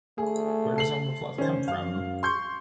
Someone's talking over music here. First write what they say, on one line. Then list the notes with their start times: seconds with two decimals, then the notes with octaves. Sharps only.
Where does all the fluff come from?
0.18 A3 G#4
0.76 A4 C7 F#7
1.38 D#3 C#4 C5
1.68 F#2 F5
2.23 C6 C#6 G6